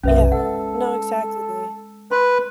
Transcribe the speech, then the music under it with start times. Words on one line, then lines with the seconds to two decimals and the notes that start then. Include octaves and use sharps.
Yeah. No, exactly.
0.03 B1 F#2 C3 C#4 B4 E5
0.32 G#3 A4 F#5
2.11 B4 C6